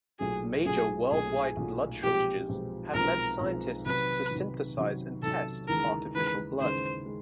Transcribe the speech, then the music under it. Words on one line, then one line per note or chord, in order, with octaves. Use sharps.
Major worldwide blood shortages have led scientists to synthesize and test artificial blood.
B1 A#2 F#3 A3 G#4
B1 A#2 F#3 A3 G#4
B1 A#2 F#3 A3 G#4
B1 A#2 F#3 A3
B1 A#2 F3 G#3 C4 G4
B1 A#2 F3 G#3 C4
B1 A#2 F3 G#3 C4 A#4
B1 A#2 F3 G#3 C4
C3 D#3 F#3 B4
C3 D#3 F#3
C3 D#3 F#3
C3 D#3 F#3 A4
D#2 C#3 E3 G#3 A#4
D#2 C#3 E3 G#3 B4
D#2 C#3 E3 G#3 C5
G#3